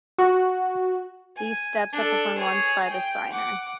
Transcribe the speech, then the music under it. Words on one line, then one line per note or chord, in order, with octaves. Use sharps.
These steps are performed once by the signer.
F#4
G#5
D4 A4
G#4 C#5
G5
F#5 D6